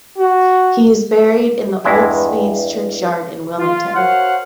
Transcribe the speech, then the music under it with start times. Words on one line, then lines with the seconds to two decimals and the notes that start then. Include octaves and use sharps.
He is buried in the Old Swedes Churchyard in Wilmington.
0.18 F#4
1.84 E2 G2 G#3 E4
3.58 F4
3.95 F#4 A#4 C5 C#5 F5 F#5